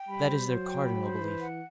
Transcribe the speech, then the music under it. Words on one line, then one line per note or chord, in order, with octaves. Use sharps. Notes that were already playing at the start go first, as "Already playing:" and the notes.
That is their cardinal belief.
Already playing: G5
G3 B5
C5
F#3 C5
G5
B5
C5
E3 B4
F#5